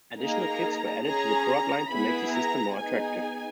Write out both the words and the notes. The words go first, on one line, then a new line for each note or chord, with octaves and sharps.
Additional kits were added to the product line to make the system more attractive.
A#3 D#4 G#4 A#5
C#4 G#4 A#5
B3 E4 G#4 B5
A#5
B3 D#4 G#4 G#5